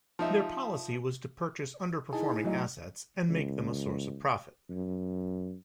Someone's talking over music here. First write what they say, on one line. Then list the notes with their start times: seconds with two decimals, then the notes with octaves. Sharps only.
Their policy was to purchase underperforming assets and make them a source of profit.
0.19 F3 D#4 E5
2.13 D#4 E4 G#4 A5
2.43 A2 F#3 D#5
3.29 C#2
4.70 F#2